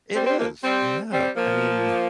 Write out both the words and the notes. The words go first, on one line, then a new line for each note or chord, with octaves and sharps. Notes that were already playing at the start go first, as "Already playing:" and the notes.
It is. Yeah. I mean
G3 C4
G3 C4
F3 A#3
G3 C4
G3 C4
F3 A#3